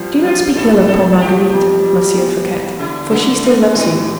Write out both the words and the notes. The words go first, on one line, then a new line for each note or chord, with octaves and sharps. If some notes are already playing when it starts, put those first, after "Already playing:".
"Do not speak ill of poor Marguerite, Monsieur Fouquet, for she still loves you."
Already playing: C2 F3 G3
G3 F4
A2 A4
C3 A4
F3 G4
F2
G3
E2
E3
D3 E4
D3 A#3
A3 C4
A2 G3